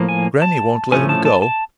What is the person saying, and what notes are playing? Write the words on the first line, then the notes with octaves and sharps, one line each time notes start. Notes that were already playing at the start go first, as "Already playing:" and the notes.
Grannie won't let him go.
Already playing: A2 F3 A#3
G#5
A5
A2 F3 A3 C#4 G#5
A5
A5
A5